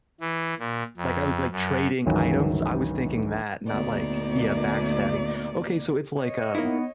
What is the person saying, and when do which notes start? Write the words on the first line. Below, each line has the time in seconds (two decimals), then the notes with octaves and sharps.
like, I was, like, trading items I was thinking that, not like yeah, backstabbing, okay so it's like a
0.20 E3
0.59 A#2
0.97 F2
1.52 F#2
2.06 G1 C#2 D#3 E3 F#3
3.66 D2 A#2 B3 D#4 D5
6.19 C#5 D#5
6.55 A#3 B3 D#4 E4